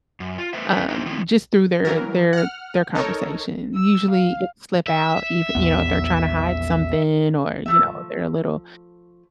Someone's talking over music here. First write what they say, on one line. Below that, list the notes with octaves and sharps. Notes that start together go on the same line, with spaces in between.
um, just through their their their conversation. Usually, it'd slip out, ev you know, if they're trying to hide something or, you know, they're a little
F#2
F4
A3 B4 C5 E5
C4 C#4 A#4 D5 E5
D#4 E4 C5
D#3 F3 A3 C4 D#4 E4
E3 F#3 A#4
F#5 F6
D#4 A4 A#4 C#5
E6
F5
E5
A#1 E2 B3
F3 A3 E5